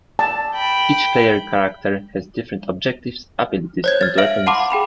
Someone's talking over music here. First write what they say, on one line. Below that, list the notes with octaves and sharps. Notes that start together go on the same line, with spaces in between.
Each player character has different objectives, abilities, and weapons.
A5
G5 B5
C5 C#5 G#6
F6 A6
E5 F5 F6 D7 F#7
F5 F#5 A5 B5 C6 D6
G#4 G5 B5 F7